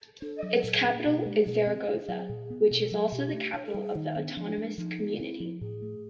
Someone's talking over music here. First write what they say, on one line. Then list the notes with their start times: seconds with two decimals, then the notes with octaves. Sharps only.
Its capital is Zaragoza, which is also the capital of the autonomous community.
0.22 D4 A4
0.43 F#3
0.50 A4
0.64 A#2
0.77 G#4
0.84 A#3
1.05 B2 G4
1.17 G#4
1.26 G#3 G4
1.46 B2 G#4
1.67 C4
1.88 D4
2.08 F#3
2.29 A#2
2.50 B3
2.71 B2 A4
2.92 F#3
3.12 B2 G4
3.33 A3
3.54 D4 C#5
3.65 A4
3.74 G3 G#4
3.95 D#3 D#4
4.16 B3 D4
4.31 C#4
4.36 F3 D4
4.58 G#3
4.78 F3 D#4
4.99 B3
5.20 C4 E4
5.40 F3
5.61 A2 G#4
5.82 A3